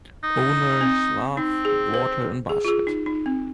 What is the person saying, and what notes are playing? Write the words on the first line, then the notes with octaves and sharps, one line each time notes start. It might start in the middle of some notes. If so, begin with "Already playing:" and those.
Owner’s love, water in basket.
D#4
C4
C4 D#4
G#4
C5
G#4
F4
G#4
D#4
D#4
C4